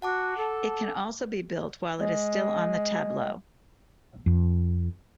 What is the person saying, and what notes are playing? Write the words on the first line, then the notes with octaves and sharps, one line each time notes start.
It can also be built while it is still on the tableau.
F#4 F#5 A5 D6
A4
G#3
F2